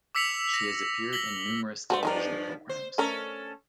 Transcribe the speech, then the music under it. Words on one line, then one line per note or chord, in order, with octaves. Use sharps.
She has appeared in numerous television programs.
D6 E6 B6 C#7 F7 F#7
A#6
A#6 B6 F#7 G7
A3 F#4 A4 C5
G2 D#3 F3 D4 F4 A#4
C5
A3 C#4 A4 A#4